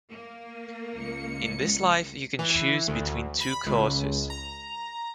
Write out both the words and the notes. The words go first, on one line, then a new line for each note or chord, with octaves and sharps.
In this life, you can choose between two courses.
A#3
C#2 C#7
E3
D2
B5
C#2
A#5